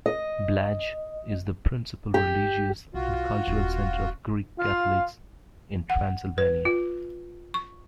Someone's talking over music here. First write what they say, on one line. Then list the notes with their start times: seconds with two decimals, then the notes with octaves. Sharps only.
Blaj is the principal religious and cultural center of Greek Catholics in Transylvania.
0.06 D#5
2.14 G4
2.94 B1 F4 F#4
3.29 G#3
3.47 D#1
4.58 F4
5.90 F#5
6.38 B4
6.65 F4
7.54 C#6